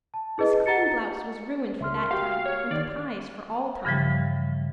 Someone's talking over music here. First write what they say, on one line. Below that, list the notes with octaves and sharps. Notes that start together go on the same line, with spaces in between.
His clean blouse was ruined for that time and the pies for all time.
A5
E4 G#4 B4 D#5
F#5 A#5 A6 C#7
C#2 E5 C6 F6
A#4
F#4 G4 F5 G5
F6
C#5
D#3 D5
G2 C#3 E3 F3 G3